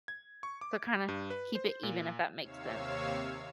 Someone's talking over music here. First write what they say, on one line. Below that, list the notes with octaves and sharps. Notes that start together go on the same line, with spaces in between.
So, kinda keep it even if that makes sense.
G#6
C#6
D6
G2
B4
C5
A#2
D#2 C3 C#5 F5 E6